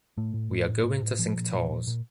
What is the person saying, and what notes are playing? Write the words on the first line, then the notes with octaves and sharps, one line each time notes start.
We are going to Cinctorres.
A2 A3
A2
A2
A2
A2
A2
A#2 F3
A#2
A#2
A#2
A#2